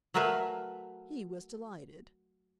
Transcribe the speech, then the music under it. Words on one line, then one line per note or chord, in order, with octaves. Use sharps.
He was delighted.
F#3 A3 A#4 B4 E5 F5